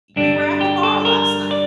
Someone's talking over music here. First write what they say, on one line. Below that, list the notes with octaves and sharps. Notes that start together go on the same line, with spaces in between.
"You were at the bar last night.
G2 D3 G3 D4
G4
A4
A#4
D5